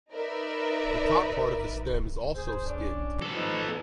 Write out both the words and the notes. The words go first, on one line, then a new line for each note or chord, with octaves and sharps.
The top part of the stem is also skinned.
D#4 A#4 B4 D5 E5
G#4 C5
C#4 D4 D5
A4 B4
F3 D#4
E2